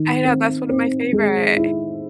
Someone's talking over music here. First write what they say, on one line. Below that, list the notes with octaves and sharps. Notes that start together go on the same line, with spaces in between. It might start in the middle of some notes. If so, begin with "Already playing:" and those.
I know, that's one of my favorite.
Already playing: D#3
C4
C4
G#3
E4